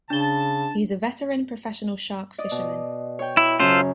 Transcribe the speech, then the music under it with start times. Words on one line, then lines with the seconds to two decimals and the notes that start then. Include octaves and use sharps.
He is a veteran professional shark fisherman.
0.10 C#3 D4 A5 G7
2.38 D5 D#5
2.51 B2
3.19 C#5 G5
3.37 E4
3.59 F#2 C#3 C#4 F4 A4 C5